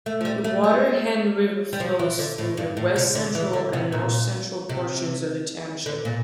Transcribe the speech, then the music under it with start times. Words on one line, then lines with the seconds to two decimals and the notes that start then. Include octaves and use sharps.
The Water Hen River flows through the west-central and north-central portions of the township.
0.06 A3
0.21 F3
0.25 G3
0.44 A3
0.64 G3
1.73 G3
1.80 F3
1.99 E3
2.19 D3
2.38 A2
2.57 G2
2.77 A2
2.96 C3
3.15 D3
3.35 E3
3.53 D3
3.73 C3
3.92 A#2
4.69 C3
5.86 D3
6.05 A#2